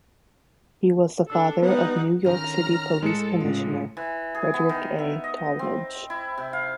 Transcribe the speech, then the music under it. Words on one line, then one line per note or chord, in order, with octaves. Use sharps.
He was the father of New York City Police Commissioner Frederick A. Tallmadge.
D4 A4 E6
G3 B3 D#4 B4 F#5
D3 D#3 C#4 A#5 F6
A2 G#3 A4 C#7
A2 C#3 F4
E3
G#4
B3
D#3
E5
D#5
C4
E4
C3
F5